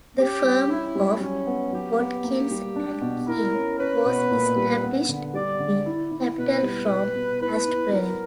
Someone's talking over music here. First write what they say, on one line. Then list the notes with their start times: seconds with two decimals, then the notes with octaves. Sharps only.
The firm of "Watkins and Keen" was established with capital from Astbury.
0.17 C#4 G4
0.44 G3
0.69 C#4 E4
0.95 G3
1.20 F#3 C#4
1.47 B3
1.72 F#3 G4
1.99 B3
2.24 A#3
2.51 G3
2.76 D4
3.01 B2
3.27 E4 A#4
3.54 C#4
3.79 C#4 B4
4.05 B2
4.31 A#2
4.56 G3
4.83 B3
5.09 D3
5.34 G3 D5
5.59 D3
5.86 E4
6.11 E4
6.38 B2 B4
6.63 G3
6.89 B2
7.15 B2
7.41 E4 B4
7.67 E4
7.92 F#3 A#4